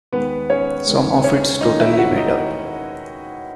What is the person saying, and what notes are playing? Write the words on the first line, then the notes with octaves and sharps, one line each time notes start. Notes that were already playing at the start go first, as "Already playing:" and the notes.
Some of it's totally made up.
D#2 D#3 G#3 B3 B4
C#4 C#5
D#2 D#3 G#3
C#4 C#5
D#2 D#3 G#3 D#4 D#5
E4 E5
E5
F#4 F#5
D#4 D#5